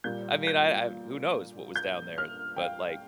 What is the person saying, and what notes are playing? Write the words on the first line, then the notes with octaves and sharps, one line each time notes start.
I mean, I I who knows what was down there, but, like,
A#2 G3 G6
G6
G6
F6
G5
F5